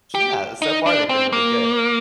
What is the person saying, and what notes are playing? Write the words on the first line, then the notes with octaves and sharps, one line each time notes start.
yeah, so far they've been really good.
G4
D#4
D4
C4
A#3